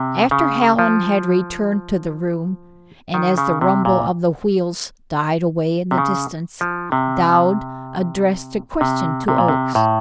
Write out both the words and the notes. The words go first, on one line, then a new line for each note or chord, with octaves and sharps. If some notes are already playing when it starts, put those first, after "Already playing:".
After Hallen had returned to the room, and as the rumble of the wheels died away in the distance, Dowd addressed a question to Oakes.
Already playing: C3
C#3
F3
D#3
C#3
C3
A#2
C3
C#3
F3
C3
C3
C3
A#2
C3
A2